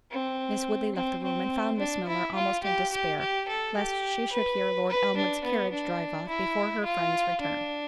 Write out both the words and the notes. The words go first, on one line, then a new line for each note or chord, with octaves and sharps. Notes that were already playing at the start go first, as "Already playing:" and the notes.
Miss Woodley left the room, and found Miss Milner almost in despair, lest she should hear Lord Elmwood's carriage drive off before her friend's return.
C4
C4
C4
D4
E4
F4
G4
G4
G4
A4
G4
B4
B4
D4
B3
D4
E4
F4
D4